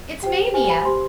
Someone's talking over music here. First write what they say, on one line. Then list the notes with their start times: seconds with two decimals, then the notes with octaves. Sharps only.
It's mania.
0.23 G4 C5 G5
0.54 G4 C5 G#5
0.65 G#5
0.70 B5
0.85 G4 C5 C6